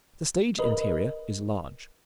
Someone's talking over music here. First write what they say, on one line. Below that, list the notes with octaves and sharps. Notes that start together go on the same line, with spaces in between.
The stage-interior is large.
A#4 B4 D#5